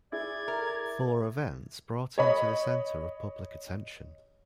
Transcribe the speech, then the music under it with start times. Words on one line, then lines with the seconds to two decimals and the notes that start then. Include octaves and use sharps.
Four events brought him to the centre of public attention.
0.12 E4 G#4 D5 G#6
0.48 A#4
2.18 C#5 D#5 B5